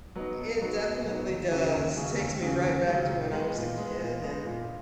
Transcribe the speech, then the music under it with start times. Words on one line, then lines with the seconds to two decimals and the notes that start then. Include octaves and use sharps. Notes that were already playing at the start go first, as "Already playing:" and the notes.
It definitely does, takes me right back to when I was a kid, and
0.16 F#3 B3 D#4
0.38 B2
0.61 F#3 B3 D#4
0.83 B2
1.06 F#3 B3 D#4
1.29 D#2
1.51 C#3 F#3 C#4 G#4
1.74 D#2
1.97 C#3 F#3 C#4 G#4
2.19 D#2
2.42 C#3 F#3 C#4 G#4
2.64 D#2
2.87 C#3 F#3 C#4 G#4
3.09 A#2
3.32 G#3 B3
3.55 A#2
3.77 G#3 B3
4.00 A#2
4.23 G#3 B3
4.45 A#2